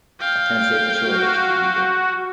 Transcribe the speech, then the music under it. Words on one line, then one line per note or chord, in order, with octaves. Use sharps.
I can't say for sure that this is illegal.
F5 G5
F#4